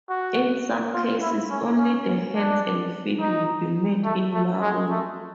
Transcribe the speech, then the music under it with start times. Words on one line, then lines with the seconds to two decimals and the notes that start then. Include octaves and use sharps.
In some cases, only the hands and feet would be made in marble.
0.09 F#4
0.93 F4
1.22 E4
1.50 C#4
1.78 C#4
2.36 D4
3.20 D#4
4.04 A3
4.34 A3
4.61 G#3
4.90 A3